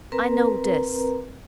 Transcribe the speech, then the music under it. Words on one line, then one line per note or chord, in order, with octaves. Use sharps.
I know this.
C4 A#4 B4 A#5